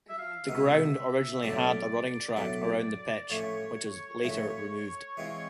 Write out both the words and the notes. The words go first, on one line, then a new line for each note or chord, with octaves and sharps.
The ground originally had a running track around the pitch, which was later removed.
E5
F5
C2 B2 G#3 B3 D#4 E5
B1 A2 F#3 A3 D4 D5
B1 A2 F#3 A3 D4
A2 F3 A3 C#4 C#5
A2 F3 A3 C#4
E3 G#3 C4 F4